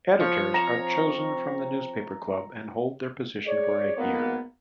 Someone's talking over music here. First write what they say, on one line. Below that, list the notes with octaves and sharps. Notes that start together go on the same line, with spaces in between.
Editors are chosen from the newspaper club, and hold their position for a year.
F3 C#5
C4 A#5
G#4 C#5 D5
G#1 A#3 B3